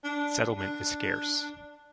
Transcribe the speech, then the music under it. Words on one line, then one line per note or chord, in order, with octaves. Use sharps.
Settlement is scarce.
D4
D4